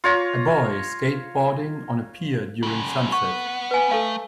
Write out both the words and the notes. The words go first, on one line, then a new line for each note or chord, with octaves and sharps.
A boy skateboarding on a pier during sunset.
F4 C#5 A#5
F#2 C#3
B3 F#5 C#6
B4 G#5
A3 A4 F5